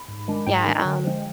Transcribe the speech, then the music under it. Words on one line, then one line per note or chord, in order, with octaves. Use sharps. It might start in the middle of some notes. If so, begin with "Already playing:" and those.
yeah, um
Already playing: B5
G#2
D#3 G#3 D4
G#2 G5
D#3 G#3 D4
D3
F3 G#3